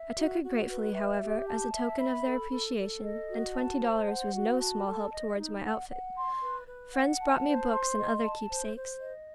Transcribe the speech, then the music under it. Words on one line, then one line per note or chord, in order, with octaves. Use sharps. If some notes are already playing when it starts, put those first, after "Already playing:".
I took it gratefully, however, as a token of their appreciation, and twenty dollars was no small help toward my outfit. Friends brought me books and other keepsakes.
Already playing: E5
F#4
F#4
B4
E5
G4
A5
E5
B5
A4
A4
A4
D#5
F#4
A5
C5
F#5
F#4
A5
A4
D#5
D#4
F#5
F#5
C6
B4
B4
F#5
A5
C5
C6
D#5
A5
C5
C5
D#5